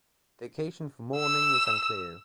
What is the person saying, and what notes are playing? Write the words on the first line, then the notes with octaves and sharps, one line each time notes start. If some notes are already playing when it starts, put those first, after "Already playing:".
The occasion for mourning is unclear.
E6